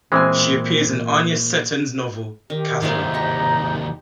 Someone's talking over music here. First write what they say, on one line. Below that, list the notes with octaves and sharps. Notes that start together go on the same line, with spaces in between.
She appears in Anya Seton's novel, "Katherine".
A#2 E3 G#3 C4 E5 G#5
D#3 G4
D#2 C3 G#3 D#4 E4 F5
G4 F#5 A#5